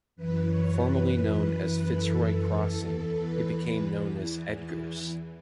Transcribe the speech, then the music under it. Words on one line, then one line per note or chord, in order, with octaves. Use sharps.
Formerly known as Fitzroy Crossing it became known as Edgar's.
F#2 E3 B4
C#5
B4
A4
E2 E3
B4